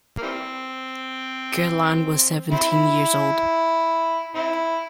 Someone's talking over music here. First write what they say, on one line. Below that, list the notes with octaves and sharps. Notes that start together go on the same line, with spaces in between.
Caroline was seventeen years old.
A#3
E3 G3 C4
C4 E4
C4 E4